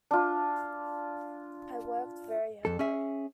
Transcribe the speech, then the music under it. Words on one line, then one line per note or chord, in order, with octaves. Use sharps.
I worked very hard.
D4 F4
F2 A4
C#4 G#4 E5